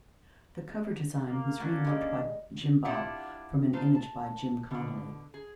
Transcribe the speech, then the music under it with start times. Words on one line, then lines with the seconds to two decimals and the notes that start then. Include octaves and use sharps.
The cover design was re-worked by Jim Bob from an image by Jim Connolly.
1.30 A#3
1.60 A#3 C#4 D4 F#4
1.84 G3 G#3 D#4
2.85 C4 D4 E4 F4 G4 F#5
3.73 D#4 F4 A4 C5
3.95 A5
4.71 B2 D3
5.34 G#4